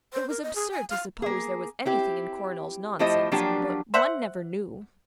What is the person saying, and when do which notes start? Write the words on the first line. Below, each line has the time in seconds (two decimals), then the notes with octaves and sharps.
It was absurd to suppose there was anything in Coronel's nonsense, but one never knew.
0.13 C5
0.30 A#4
0.43 D#5
0.55 G#4
0.71 G#5
0.90 F5
1.22 A#3 G#4
1.85 C4 E4 G4
2.99 F3 A3 E4 G4 C5 D#5
3.32 F3 F#3 A#3 D4 F4 G4
3.94 C5 E5 F#5